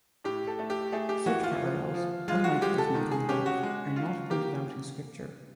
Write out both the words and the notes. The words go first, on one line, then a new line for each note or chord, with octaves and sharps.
Such parallels, unlike those mentioned above, are not pointed out in Scripture.
A2 G4
A4
A3
G4
A3 G#4
G4
E3 F#4
F4
F3
F3
G#3 F4
F#4
G#3 G4
A4
D#3
G#4
C#4 G4
F#4
G#3
F4
A#3 G4